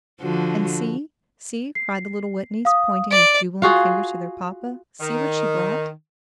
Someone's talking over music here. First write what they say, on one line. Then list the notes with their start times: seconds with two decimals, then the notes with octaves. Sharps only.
"And see--see!" cried the little Whitneys, pointing with jubilant fingers to their papa, "see what she brought!"
0.21 D3 F3 F#4
1.75 C7
2.65 F5 D#6
3.11 D5 D7
3.62 F4 F#4 G#4
5.01 D#3